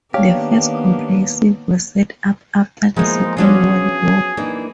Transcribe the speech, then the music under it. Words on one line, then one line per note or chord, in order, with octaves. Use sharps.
The first comprehensives were set up after the Second World War.
D#3 A#3 B3 D4 G4 C#5 F5
F3 G#3 A#3 B3 D#4 E4
F3 F#3 B3 C#4 D4 F4 G#4
E3 A#3 D4 D#4